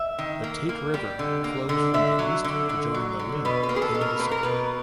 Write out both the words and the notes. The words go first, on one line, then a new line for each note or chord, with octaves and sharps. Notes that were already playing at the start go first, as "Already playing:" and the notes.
The "Tate River" flows from the east to join the "Lynd" in the centre.
Already playing: E5
D#3
A#3
A#3
G3
D3
A#3
D3
D3 E5
F#3
D3
D3
F#3
D3
B2 B4
B4
A#3
G#4
A4
B2
A#4
A#3 B4
A#4
B2 B4